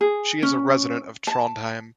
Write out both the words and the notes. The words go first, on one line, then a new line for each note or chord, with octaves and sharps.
She is a resident of Trondheim.
G#4
C#4
A5